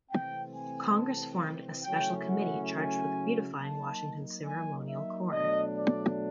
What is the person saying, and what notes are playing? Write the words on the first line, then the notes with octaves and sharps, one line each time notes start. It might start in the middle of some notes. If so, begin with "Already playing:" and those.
Congress formed a special committee charged with beautifying Washington's ceremonial core.
C3 E3 A3 C4 G5
G#5
A5
C#3 F#3 A3 C#4 E4 G5
F#5
G#5
F#3 A#3 D#4 A5
G#5
E5
B2 F#3 A3 D4 D#5
D5